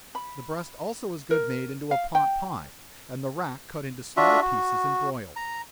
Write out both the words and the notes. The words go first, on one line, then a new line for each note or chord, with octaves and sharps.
The breast also is good made into a pot pie, and the rack cut into small pieces and broiled.
B5
A#4
F5
G5
D4 F4 F#4 E5
F#4
A#5